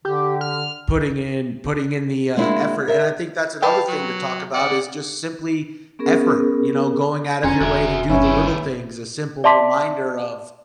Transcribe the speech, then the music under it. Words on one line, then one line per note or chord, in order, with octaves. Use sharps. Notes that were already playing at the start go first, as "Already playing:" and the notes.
putting in putting in the, uh, effort, and I think that's another thing to talk about is just simply effort; you know, going out of your way to do the little things, a simple reminder of,
D3 G4
F6
G#3 A#3 C4 D4 E4 F#4
A#4 E5
B4 F5 G5 A5
F#3
D5 F#5
B3 C#4 G#4 A#4
F1 C#4 C5 G#5 A#5
E1 F#4 E5 F#6 G#6
G1 A#2 C#4 B4 E5
D#2 E4
D5 E5 A5 C6 D6 B6